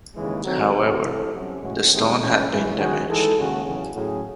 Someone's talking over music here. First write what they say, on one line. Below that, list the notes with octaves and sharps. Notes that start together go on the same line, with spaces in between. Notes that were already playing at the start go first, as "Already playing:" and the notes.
However, the stone had been damaged.
D#2 C#3 E3 G#3
D#3 F#3 A3 C4
C#2 C3 D#3 A3 C#4
C2 C3 E3 A3
C2 C3 F#3 C#4
A2 E3 G#3 C#4 F#4
C2 C3 D#3 G#3
A2 E3 G#3 C#4
F#2 C#3 E3 G#3
D#3 G#3 C#4 F#4
E3 G#3 D#4 A4
D#2 C#3 G#3 C#4 F#4
E2 C#3 F#3 C#4
A2 F#3 C#4 G#4